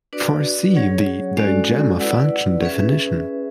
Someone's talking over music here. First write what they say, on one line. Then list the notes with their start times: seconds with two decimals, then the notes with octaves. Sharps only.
For see the digamma function definition.
0.13 D4 F#4 B4 D5
0.75 F#3 C#4 G#4 C#5 F#5
1.37 G#3 C#4 F#4 A4 D5
2.00 E4 B4 D5 F#5
2.62 C#4 G#4 B4 E5